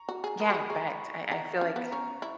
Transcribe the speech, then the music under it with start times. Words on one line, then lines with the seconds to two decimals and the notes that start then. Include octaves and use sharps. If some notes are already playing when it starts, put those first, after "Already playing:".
Yeah, I bet, I I feel like
Already playing: A#5 C#6
0.09 F#4
0.24 G#4
0.40 A#4 B5 D#6
0.50 F#4
0.54 G#4
0.69 G#4 A#5 C#6
1.30 D#4 F#5 A#5
1.61 C#4
1.76 B3
1.91 C#4 A#5 C#6
2.22 E4